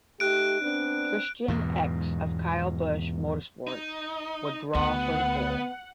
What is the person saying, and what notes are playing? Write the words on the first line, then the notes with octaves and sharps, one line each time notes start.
Christian Eckes of Kyle Busch Motorsports would draw for the pole.
A3 D#4 G4 F#6 D7
B3 C4 D4
E2 G#2 B2
D#4
D2 B3 F#5